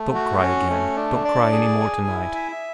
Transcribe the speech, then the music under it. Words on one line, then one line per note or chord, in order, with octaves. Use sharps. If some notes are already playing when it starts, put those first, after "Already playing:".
'Don't cry again. Don't cry any more to-night.
Already playing: A3
F#4
C#4
A3
D4
D5
G#4
G#5
E4
E5